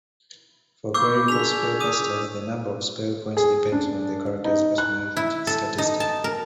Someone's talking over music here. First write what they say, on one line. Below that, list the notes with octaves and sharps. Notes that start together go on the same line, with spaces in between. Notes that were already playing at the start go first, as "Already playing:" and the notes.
For Clerical spellcasters, the number of spell points depends on the character's Personality statistic.
A#3 B5 C#6 D6 E6 G6
D4 G#4 E6 B6 F7
D6 D#6 D#7
G#4
D4
D#4
F#6
E4
A4
D#4
A5
A#4